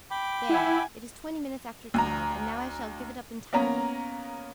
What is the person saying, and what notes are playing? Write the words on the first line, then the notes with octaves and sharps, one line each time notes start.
There, it is twenty minutes after twelve, and now I shall give it up entirely.
G5 B5 D6
E4 F#5 G#5
D2 A#5
A#3 B3 C#4 A#5